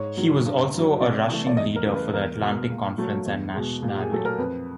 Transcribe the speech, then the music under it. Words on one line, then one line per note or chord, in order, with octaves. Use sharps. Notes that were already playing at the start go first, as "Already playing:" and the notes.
He was also a rushing leader for the Atlantic conference and nationally.
Already playing: G#2 C#5
D#3 F#3
G2
D3 F#3
C3 D5
E3 A3
D5
E2 D#5
A#4
C#3 E3 A3
B4
E2 A#4
B2 G#3
A#2
F#3 A3
E2
B2 G#3
A#2
G4
G#4
F#3 A3 A4
A#4
F2 B4